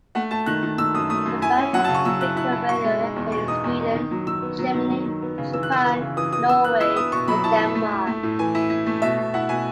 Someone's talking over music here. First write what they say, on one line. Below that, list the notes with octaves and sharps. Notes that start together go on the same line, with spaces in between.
The band has frequent radio airplay in Sweden, Germany, Japan, Norway and Denmark.
A3 F#5
A3 A5
D#3 F#6
D#3
D#3 E6
F#2 D#6
A3 D#6
F#2
E4 G#5
C#4
F#3 F#5
A5
C#3
C#6
F#3 E6
E4 F#6
E4 F#6
E4
B2 C#6
G#3
D#4
E2
B2 C#6
D#4 D#6
E2
D#4
D#3
F#3
D#3 E6
B3
F#3
D#3
F#3
D#3
B3
C#3
E3 E6
F#6
B3 E6
E3
C#3
E3 D#6
E3 D#6
B3 E6
B3 F#6
E4 E6
B3 D#6
B2 C#6
F#3 B5
E4 A5
E4
A3
E4
A3
A2
E3 G#5
E4
E4
A3
B2 E5
B2
E4 F#5
B2 G#5